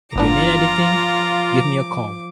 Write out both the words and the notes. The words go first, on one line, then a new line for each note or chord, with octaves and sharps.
If you need anything, give me a call.
G1 F3 B3 D4 F4 A#5 D6